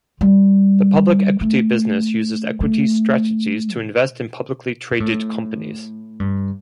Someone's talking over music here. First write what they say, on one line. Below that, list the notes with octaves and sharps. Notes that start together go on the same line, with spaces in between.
The public equity business uses equity strategies to invest in publicly traded companies.
G3
A3
A3
B2
A2
G2